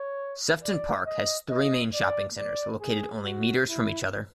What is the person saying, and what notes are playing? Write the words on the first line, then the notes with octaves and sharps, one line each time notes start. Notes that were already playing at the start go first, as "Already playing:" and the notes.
Sefton Park has three main shopping centres located only metres from each other.
Already playing: C#5
D5
D#5
D#5
D5
D5
G#4
F#4
E4